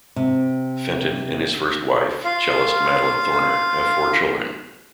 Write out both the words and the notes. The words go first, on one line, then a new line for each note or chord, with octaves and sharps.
Fenton and his first wife, cellist Madeline Thorner, have four children.
C3
F4 F5